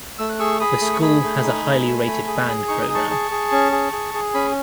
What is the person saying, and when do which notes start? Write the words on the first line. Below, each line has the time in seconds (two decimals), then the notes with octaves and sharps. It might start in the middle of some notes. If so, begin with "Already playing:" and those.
The school has a highly rated band program.
0.19 A3 E6
0.29 F#6
0.40 G#4 C#6 E6
0.60 G#4 B5 D#6
0.81 A3
0.93 C#6
1.01 G#4 G#5 B5
1.23 A3
1.43 D#4
1.65 A3
1.85 A3
2.06 A3
2.27 G#4
2.48 G#4
2.68 D#4 C#6
2.82 D#6
2.89 G#4
2.95 A5 C#6
3.10 G#4
3.31 G#4
3.52 C#4
3.72 G#4
3.93 G#4
4.14 G#4
4.34 C#4 G#5 B5